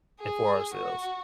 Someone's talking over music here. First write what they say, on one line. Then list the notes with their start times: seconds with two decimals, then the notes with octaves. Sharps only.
and for ourselves.
0.20 G#4
0.73 F#4